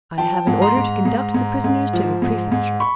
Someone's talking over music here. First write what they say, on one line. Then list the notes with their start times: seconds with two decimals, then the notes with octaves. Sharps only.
"I have an order to conduct the prisoners to the prefecture."
0.18 F3 G5 A5
0.47 G#2
0.62 A#5 C6
0.77 G#2
1.05 G#2
1.34 G#2
1.64 G#2
1.93 F3
2.22 G#2
2.52 G#2
2.80 B5 C#6